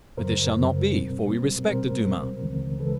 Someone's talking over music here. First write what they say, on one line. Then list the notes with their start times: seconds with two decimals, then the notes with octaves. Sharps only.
But this shall not be, for we respect the Duma.
0.17 F#2 C#3 F#3 A#4 C5
0.54 F#2 C#3 F#3
0.92 B2 G3 C4
1.30 B2 G3 C4
1.67 B2 G3 C4 A#4 C5
2.04 B2 G3 C4
2.42 C#2 C#3 E3 G#3
2.80 C#3 E3 G#3 A4 B4